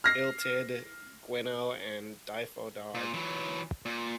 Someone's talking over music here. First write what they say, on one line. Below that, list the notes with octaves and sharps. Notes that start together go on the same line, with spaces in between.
Illtyd, Gwynno, and Dyfodwg.
F6 A#6 C7
A#2
E3 F#3
A#2